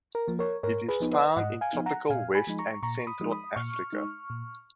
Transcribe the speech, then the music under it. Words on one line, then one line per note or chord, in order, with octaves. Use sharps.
It is found in tropical West and Central Africa.
A#4
F3 A#3
A#4 C#5
G#2 A#4 C#5
G#4 B4
F3 B3 D#4
B4 D#5
G#2 D#5 F#5
F5 G#5
F3 B3 D#4
F#5 A#5
A#2 F5 G#5
G#5 B5
F3 G#3 D#4
A#5 C#6
A#2 A#5 C#6
B5 D#6
F3 G#3 D#4
B5 D#6
A#2 C#6 F6
G#3 D#4
A#2